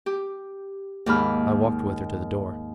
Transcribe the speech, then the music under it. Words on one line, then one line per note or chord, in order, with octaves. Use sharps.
I walked with her to the door.
G4
D#2 G#2 A#3 B5 F6